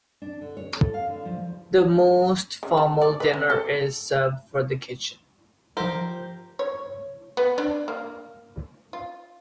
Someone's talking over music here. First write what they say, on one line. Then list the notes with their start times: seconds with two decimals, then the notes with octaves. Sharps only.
The most formal dinner is served from the kitchen.
0.22 D4
0.41 D3
0.57 C#5
0.77 A4
0.94 F5
1.08 D3
1.25 F3
2.63 C#3
2.77 A5
3.01 D5
3.20 B4
3.34 C#4
3.50 A4
5.77 F3 G4 A#4 C5 G6
6.59 C#5
7.37 B3
7.58 D4
7.88 A#3
8.93 F4